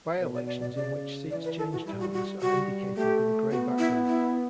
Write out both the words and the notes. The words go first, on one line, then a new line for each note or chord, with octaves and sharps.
By-elections in which seats changed hands are indicated with a grey background.
B2 B4
D5
D5
D5
C#3 D5
E3 D5
B4
A4
F#4
G3 E4
F#4
F#4
G3 F#4
A3 G4
B3 F#4
E4
E4